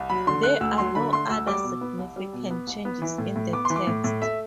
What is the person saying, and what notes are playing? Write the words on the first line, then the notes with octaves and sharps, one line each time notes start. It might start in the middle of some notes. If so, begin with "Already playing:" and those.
There are no other significant changes in the text.
Already playing: C2
F#3 B5
D3 C6
A3 F#6
D2 E6
F#3 C6
D3 B5
A3 C6
D2 E6
G3 D6
B2
B3
C2
G3
B2
B3
C2
B3
E3
A2
A2
B3 D6
E3 C6
D6
A2
A2
A3 E5